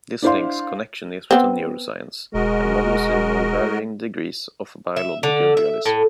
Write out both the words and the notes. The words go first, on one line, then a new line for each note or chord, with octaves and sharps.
This links connectionism to neuroscience, and models involve varying degrees of biological realism.
D4 E4 C5 F5 C6
B3 C4
E1 G#3 F#4 A#4 D#5
E5
D3
E5
A2